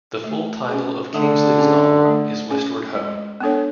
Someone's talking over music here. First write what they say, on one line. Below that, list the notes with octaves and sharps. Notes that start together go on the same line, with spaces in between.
The full title of Kingsley's novel is Westward Ho!
A3
C#4 G#4
D3 A3
C#4 G#4
A3
C#4 G#4
G#3
B3 D4 A4 C#5